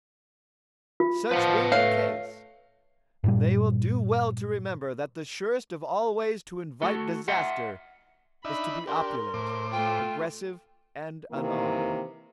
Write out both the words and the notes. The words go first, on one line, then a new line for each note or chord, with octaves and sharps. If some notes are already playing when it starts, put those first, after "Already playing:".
Such being the case, they will do well to remember that the surest of all ways to invite disaster is to be opulent, aggressive and unarmed.
F4
F3 B4 F#5 A5
A3 C#5 F5
G2 A#2 G3
A3 F#4 A4
D#5 E5 F#5 C6
D4 D#4 E5 B5
D4 G4 A#4 C6
A2 C5 D6
A3 F4 G5
C3 D#3 E3 A#3